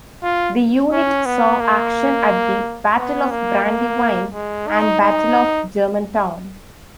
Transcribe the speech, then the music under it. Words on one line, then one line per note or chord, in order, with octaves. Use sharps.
The unit saw action at the Battle of Brandywine and Battle of Germantown.
F4
C#4
B3
A#3
B3
A#3
A#3
G#3
D#4
D#4